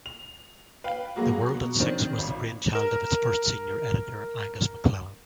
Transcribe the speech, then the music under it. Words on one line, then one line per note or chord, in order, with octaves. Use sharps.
"The World at Six" was the brainchild of its first senior editor, Angus McLellan.
F7
B4 F5 G5
F#3 G#3 A#3 F#4
B2
D#3 C4 D4
G#1
A#4 E7